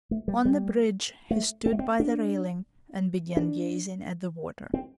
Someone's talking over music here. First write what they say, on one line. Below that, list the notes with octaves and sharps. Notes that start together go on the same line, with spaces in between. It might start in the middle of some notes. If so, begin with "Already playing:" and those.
On the bridge he stood by the railing and began gazing at the water.
A3
G3
G3
A3
C4
A3
C4
D4
D4
C4